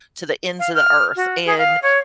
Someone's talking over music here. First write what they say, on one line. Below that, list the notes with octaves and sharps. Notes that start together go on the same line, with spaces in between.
to the ends of the earth, and,
F5
F6
F#4
G#4
F5
C#5